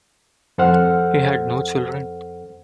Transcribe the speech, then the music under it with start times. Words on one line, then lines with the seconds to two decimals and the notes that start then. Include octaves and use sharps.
He had no children.
0.58 F2 A4 C5 F#5 F6